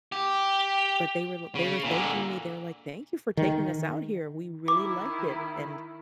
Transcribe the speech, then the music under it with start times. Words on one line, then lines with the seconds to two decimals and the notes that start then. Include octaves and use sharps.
but they were l they were thanking me, they were like, "Thank you for taking us out here. We really liked it." and
0.12 G4
1.55 C#3
1.85 A#2 D3
3.37 D#3
4.68 D#3 E4 D6